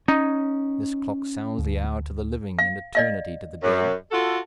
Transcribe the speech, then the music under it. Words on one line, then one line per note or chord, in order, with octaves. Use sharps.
This clock sounds the hour to the living, and eternity to the dead.
C#4 D#4
D2
F5
D5 D#5 F5
F#2
F4 F#4 A4